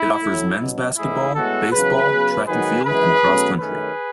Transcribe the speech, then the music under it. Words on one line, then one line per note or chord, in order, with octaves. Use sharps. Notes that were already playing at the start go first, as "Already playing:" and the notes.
It offers men's basketball, baseball, track and field, and cross country.
Already playing: E4
A2 F#3 A3
B2 F#3 C#4
G#2 E3 A3 C#4 E4 G#4
A2 G#3 B3 F#4 A4
E2 C#3 F#3 G#4 B4
C#3 F#3 B3
G#2 D#3 F#3 B3 G#4 B4
F#2 E3 G#3 C#4 G#4 B4
B2 F#3 A3 C#4
F#2 D#3 A3 C#4 G#4 B4